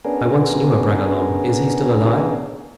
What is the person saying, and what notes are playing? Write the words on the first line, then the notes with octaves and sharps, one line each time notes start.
"I once knew a Bragelonne--is he still alive?"
B3 C#4 D4 G#4 A#4